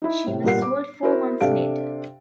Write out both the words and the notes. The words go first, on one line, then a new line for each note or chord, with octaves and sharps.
She was sold four months later.
D#4 E4
A2 C3
G1 A#2 G4 A#4 F#5 C7
D6
E4 F#4 A#4 C5
C3 D4 G4 A4 F5 D7